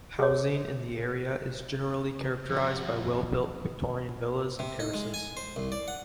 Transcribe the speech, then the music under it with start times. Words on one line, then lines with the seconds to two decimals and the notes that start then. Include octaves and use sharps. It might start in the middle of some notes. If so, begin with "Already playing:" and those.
Housing in the area is generally characterised by well-built Victorian villas and terraces.
0.19 G#4 C#5
2.49 F2 F#4
4.59 C3
4.80 D#4
4.94 G#3
5.14 G#5
5.37 C5
5.56 C2
5.72 D5
5.88 F#5